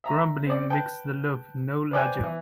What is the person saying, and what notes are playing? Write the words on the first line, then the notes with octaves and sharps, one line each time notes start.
Grumbling makes the loaf no larger.
E5 A#5
C4 D5
B4 G5 A5
B4 C5 D5 G5 G#5
E3